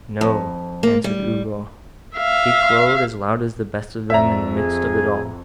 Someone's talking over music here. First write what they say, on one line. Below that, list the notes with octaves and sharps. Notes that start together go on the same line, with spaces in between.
'No,' answered Ugo, 'he crowed as loud as the best of them in the midst of it all.
F2
A#3
G3
E5 F5
F2 D5 E5 A#5
G#4